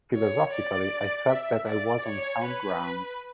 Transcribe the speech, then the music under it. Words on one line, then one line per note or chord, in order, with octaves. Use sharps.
Philosophically I felt that I was on sound ground.
C#5
D5
E5
D5
C#5
B4